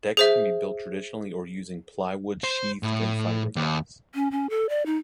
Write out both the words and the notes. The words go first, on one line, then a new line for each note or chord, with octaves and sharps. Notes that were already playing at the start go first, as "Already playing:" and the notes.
Decks can be built traditionally or using plywood sheathed in fibreglass.
G#4 C5 E5
C5
A2
D#2
C#4
C#4
A4
D5
D#4